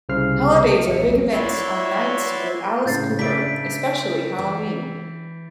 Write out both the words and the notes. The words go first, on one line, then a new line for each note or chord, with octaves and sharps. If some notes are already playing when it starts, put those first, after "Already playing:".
Holidays are big events on "Nights with Alice Cooper", especially Halloween.
C2 C#3 C5 F6 C7
A1 G#3 E5 C#7
C#2 F#3
E4 F#4 C#5 D5 E5 C6
A2 C#3 G6 A6 C7
C#3 D4 D5 E5 B6 D7
E3